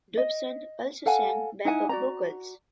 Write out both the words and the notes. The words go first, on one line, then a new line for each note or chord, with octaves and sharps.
Dobson also sang backup vocals.
D#5
A4 F5 F#5 G#5
D#4 E4 F#5 G#5
F#4 D5 A#5